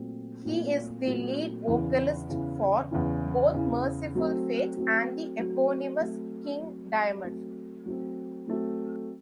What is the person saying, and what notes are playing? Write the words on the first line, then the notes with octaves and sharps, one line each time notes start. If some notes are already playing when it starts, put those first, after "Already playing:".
He is the lead vocalist for both Mercyful Fate and the eponymous King Diamond.
Already playing: A#2 F#3 A3 C4
A#2 F#3 A3 C4
A#2 F#3 A3 C4
E2 C#3 E3
E2 C#3 E3
E2 C#3 E3
E2 C#3 E3
F#3 A3 C4
F#3 A3 C4
F#3 A3 C4
F#3 A3 C4
F#3 A3 C4
F#3 A3 C4
F#3 A3 C4
F#3 A3 C4